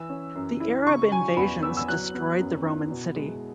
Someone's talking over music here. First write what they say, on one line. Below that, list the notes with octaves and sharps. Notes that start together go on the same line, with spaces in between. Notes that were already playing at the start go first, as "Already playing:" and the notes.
The Arab invasions destroyed the Roman city.
Already playing: E3 E6
C#4
F#2
E4
C#3 C#6
F#3 G#5
E2 B5
B3 E6
E6
F#3 F#6
B3
F#2
E4
B2
G#3